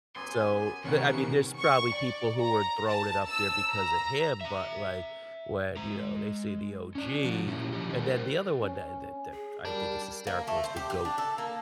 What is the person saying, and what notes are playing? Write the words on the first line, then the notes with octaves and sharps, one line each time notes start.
so but, I mean, there's probably people who were throwing it up there because of him, but, like, when, you know, they say the OG. And then the other one that that that I think is hysterical is the GOAT.
F#2 B3 G4 G#5 C6
E2 C3 D#3 A#3 C#4 F#5 C#6
C#6
D5
A#5
A5
E6
A#5
E5 A#5
G#3 A#5
C#4 D5
F3 F#4
A#2 C#4 E4 G4 E5
F3 F#3 G4 D#5
D#3 G3 G#3 A#3 G4
A#4 C5 G5
C#4
G#4
G3 D4 A#4
A#3
A3
C5
G4
G4
D4
A4
A#3